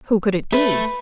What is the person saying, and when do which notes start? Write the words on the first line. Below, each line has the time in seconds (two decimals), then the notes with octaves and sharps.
Who could it be!
0.52 A3 B4 E5